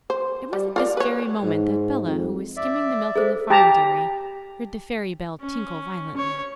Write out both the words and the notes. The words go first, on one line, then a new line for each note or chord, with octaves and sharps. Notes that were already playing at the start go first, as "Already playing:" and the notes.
It was at this very moment that Bellah, who was skimming the milk in the farm dairy, heard the fairy bell tinkle violently.
C5
G3
F4 A#4 D5
B4 C#5
G#2
F2
D5 E5
G#4 A4 C5
G4 A5 A#5
C#4
C#5